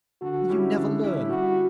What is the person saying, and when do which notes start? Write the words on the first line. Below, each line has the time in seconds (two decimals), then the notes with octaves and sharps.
Will you never learn?
0.21 D3 F#4
0.49 G3 C#4 E4 G4
0.75 D3
1.03 G3 C#4 E4 G4
1.30 G3 F#4